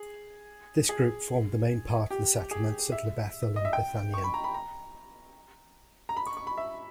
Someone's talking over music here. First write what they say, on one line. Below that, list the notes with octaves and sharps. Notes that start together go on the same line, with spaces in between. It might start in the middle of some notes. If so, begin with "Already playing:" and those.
This group formed the main part of the settlements at Lobethal and Bethanien.
Already playing: G#4
G#4
G4
G#4
E5
D#5
E5
G5
C#6
B5
A#5
B5
A#5
A#5
B5
C#6
C#6
B5
E5